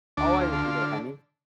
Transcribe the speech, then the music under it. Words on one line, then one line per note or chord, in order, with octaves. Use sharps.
How are you today honey?
D2 D4
F4
D3
F4